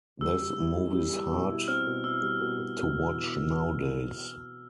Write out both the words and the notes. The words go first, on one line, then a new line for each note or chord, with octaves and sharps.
This movie's hard to watch nowadays.
G3 E6
G3
E4
G3
G3
G3
B2
E4
C4 F6
B2
E4 E6
G3
B2
B2
B2
B2
E3